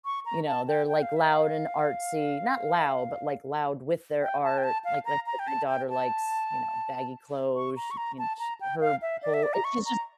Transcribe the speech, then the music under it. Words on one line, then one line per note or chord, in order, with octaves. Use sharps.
you know, they're, like, loud and artsy. Not loud, but, like, loud with their art. Like like my daughter likes, you know, baggy clothes. Sh and sh her pull it's she's just
C#6
A#5
A5
G5
G5
F5
E5
F5
G5
A5
G5
A5
F5
A#5
A#5
G5
A5
G5
A5
C#6
A#5
C#6
A#5
A5
A#5
G5
F5
E5
D5
E5
D5
A#5
C#6
A#5